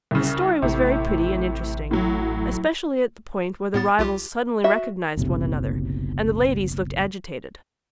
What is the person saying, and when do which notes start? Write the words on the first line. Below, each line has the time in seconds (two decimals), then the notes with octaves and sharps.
The story was very pretty and interesting, especially at the point where the rivals suddenly recognized one another; and the ladies looked agitated.
0.11 C2 C#3
0.62 A1 A2 C3
1.91 A2 F#3
3.74 A2 B3 A6
3.99 B1 F4 G4
4.64 F#4 E5
5.17 F#1 B1 A2 C3